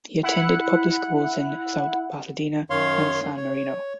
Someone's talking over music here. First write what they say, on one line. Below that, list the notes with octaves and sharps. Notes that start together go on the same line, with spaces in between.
He attended public schools in South Pasadena and San Marino.
E4 F#5
F#2 D#3 C#5 F5 C6
C#5